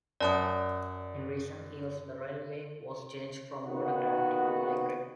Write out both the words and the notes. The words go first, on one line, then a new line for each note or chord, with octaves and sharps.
In recent years the railway was changed from water gravity to electric.
F#2 D5 A5 D#6
A#2 D#3 B3 D#4 F#4